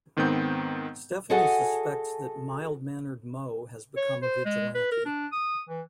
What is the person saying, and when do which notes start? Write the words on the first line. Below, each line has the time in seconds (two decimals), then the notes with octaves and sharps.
Stephanie suspects that mild-mannered Mo has become a vigilante.
0.17 G#2 D#3 B3 C4 G6
1.30 F#4 G#4 A4 D#5 F#5 G#5
3.97 C#5
4.22 C5
4.45 G#3
4.74 B4
4.92 A#4
5.06 D4
5.32 D#6
5.69 E3